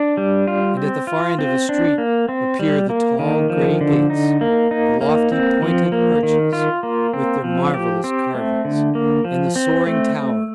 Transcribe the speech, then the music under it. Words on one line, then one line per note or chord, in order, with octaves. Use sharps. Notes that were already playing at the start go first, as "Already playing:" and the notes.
And at the far end of a street appear the tall grey gates, the lofty pointed arches with their marvellous carvings and the soaring towers.
Already playing: D4
G3
F4
C4
F4
C4
D4
A#3
C4
G3
A#3
D#3
F3
D3
D#4
A#3
D#4
A#3
C4
F3
A#3
D#3
F4
A#3
C4
F3
G4
C4
A3
D3
A#3
F3
C4
A3